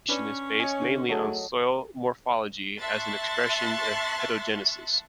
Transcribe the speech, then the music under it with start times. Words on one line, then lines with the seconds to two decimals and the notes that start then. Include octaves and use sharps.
The classification is based mainly on soil morphology as an expression pedogenesis.
0.08 C#4 D4 B4 D5
0.60 C#5 D#5 G#5
0.82 D3
1.09 F#3 A3 G#4 A4
2.79 E5 A5 C6 C#6 F#6 A6